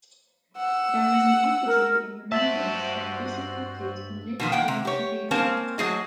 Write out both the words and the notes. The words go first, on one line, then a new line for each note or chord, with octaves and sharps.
There is an effigy in remembrance of Bishop Hacket in Lichfield Cathedral.
F#5 E6
A#4
G2 F#4 C5 E5 A5 E6 A6 F#7
B2 D#3 F3
A#3 F#5 G5
C3
G4 C#5
A#3 C4 C#4 A5
F#3 A3 G#4 D#5